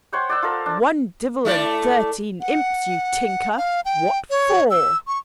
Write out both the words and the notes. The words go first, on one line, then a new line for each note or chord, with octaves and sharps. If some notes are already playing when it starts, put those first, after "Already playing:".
"One divel and thirteen imps, you tinker! what for?"
C5 C#5 F#5 G5
D5 F#5 E6
F4 A4 A#4
D4
A3 E4 D5
F#5
F5
G5
C#5
E6
C#6